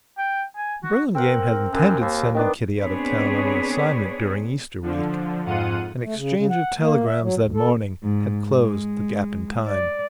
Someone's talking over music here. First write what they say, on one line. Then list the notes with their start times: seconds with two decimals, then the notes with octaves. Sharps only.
Burlingame had intended sending Kitty out of town on an assignment during Easter week. An exchange of telegrams that morning had closed the gap in time.
0.18 G5
0.57 G#5
0.84 F#4
1.15 C4 A#4 F#5
1.70 F#2
2.00 D#2
2.35 D#3 B3 D4
2.78 B3 C4 D4 G#4 B4 C#5
4.82 D3 F3
5.45 F2 G#2 F4 F#5 D#7
6.03 A3
6.15 C#3
6.35 C#3
6.50 F#5
6.79 A#3
7.06 E5
7.21 F#3
7.40 D2
7.54 A4
8.03 G#2
8.50 G#3
9.68 D5